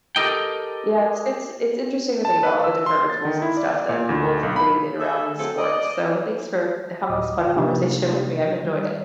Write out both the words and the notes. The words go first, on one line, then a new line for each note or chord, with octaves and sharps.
yeah, it's it's it's interesting to think about all the different rituals, and stuff, that people have created around these sports, so thanks for having this fun conversation with me, I've enjoyed it.
G4 A4 A#4 D#5 G5
A5
B4
E6
C6
A6
D#3
E4
D5
A#2
D2
B1
B5
G#4 A4 E5
D3 F#3 A3 C4 G#4 A4
D5 D#5
D2 A2 D#5 D6 D#6
G1 F4 D5 G5
C3 F3 A#3 D4 D#4 G4
D#3 G3